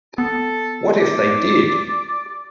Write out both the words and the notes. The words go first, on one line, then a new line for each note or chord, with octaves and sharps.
What if they did!
B3 A4
D5